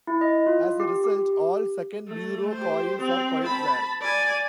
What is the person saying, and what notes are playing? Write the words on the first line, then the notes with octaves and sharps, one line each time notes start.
As a result, all Second Bureau coils are quite rare.
E4
D#5
F4
G4
G4
A3
G4 C5
C4
A5 B5
D5 G#5